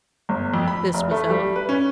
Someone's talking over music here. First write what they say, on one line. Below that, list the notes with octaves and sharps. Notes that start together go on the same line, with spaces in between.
This was Ella.
G1
F2
B5
F1
A3
G3
B4
C#4